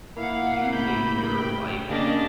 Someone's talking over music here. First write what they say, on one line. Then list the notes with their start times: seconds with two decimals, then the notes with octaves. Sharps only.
you take your life
0.17 A#3 E4 F5 F#5
0.73 A2 C#3 B5 G6
1.38 G5
1.89 C#3 A#3 D4 G4 D#5